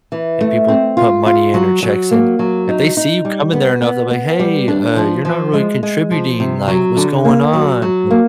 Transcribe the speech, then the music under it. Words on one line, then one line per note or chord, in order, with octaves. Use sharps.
and people put money in or checks in. If they see you coming there enough, they'll be like, "Hey, uh, you're not really contributing, like, what's going on an"
E3
A3
C4
F4
F4
F#3
F#3
A#3
F#3
D#4
D#4
G3
B3
B3
B3
G3
D4
F3
F3
G#3
G#3
F3
C3
F#3
D3
A#3
F#3
F#3
A#3